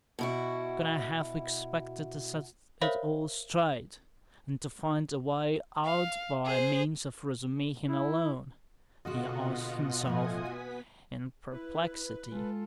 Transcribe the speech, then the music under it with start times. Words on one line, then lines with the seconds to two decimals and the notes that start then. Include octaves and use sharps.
"Could I have expected to set it all straight and to find a way out by means of Razumihin alone?" he asked himself in perplexity.
0.19 B2 E4 F#4
2.81 A#4 C5 C#5 E5 F5 B5
5.84 F5
6.45 G#4 C5
7.88 E4
9.05 B2 D3 G#3 F4 F#4 D#5 F#5
10.05 A2 F3 A3 G#5 D#6
10.45 B3 F#4 B4 B6
11.52 E4 B4
12.32 G#3 F4 A4